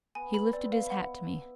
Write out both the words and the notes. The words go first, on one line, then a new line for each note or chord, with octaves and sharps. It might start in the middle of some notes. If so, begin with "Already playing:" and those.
He lifted his hat to me.
B3 G#5
B5
C4 D5
B3
F5
E4
F#5